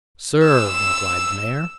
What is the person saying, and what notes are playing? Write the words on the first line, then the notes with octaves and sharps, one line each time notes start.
"Sir," replied the mayor.
E6